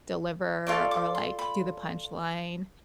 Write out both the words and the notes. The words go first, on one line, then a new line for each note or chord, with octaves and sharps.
deliver or like, do the punchline.
F4 A4 D5 C#6
D6
C6
B5